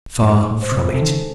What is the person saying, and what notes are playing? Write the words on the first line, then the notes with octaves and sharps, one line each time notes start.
Far from it.
F#2
G#2 G#3
A2
C5
C3
C3 A4
D#3
C#3